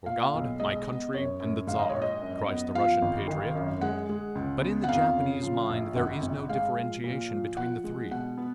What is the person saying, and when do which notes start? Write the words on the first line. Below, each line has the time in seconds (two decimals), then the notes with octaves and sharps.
"For God, my country, and the Czar!" cries the Russian patriot; but in the Japanese mind there is no differentiation between the three.
0.06 A#2 F5
0.34 B1
0.60 G#3 D#5
0.88 B3
1.14 F#2 C#5
1.40 F#2
1.67 G#2 F5
1.79 D#5
1.90 A#1 C#5
2.02 D#5
2.21 F#2
2.48 B3
2.75 F3 F5
3.02 G#1
3.28 D#3
3.55 F#2
3.81 G#3 F#5
4.09 G#3
4.35 C#2
4.62 B3
4.84 F#5
4.89 F2 F5
5.17 C#3
5.43 F3
5.70 A#1
5.96 G#1 F#5
6.23 G#1
6.49 G#3 F5
6.76 F3
7.04 A#2
7.30 F3
7.57 F3 F#5
7.84 G#3
8.11 B2 F#5
8.37 B3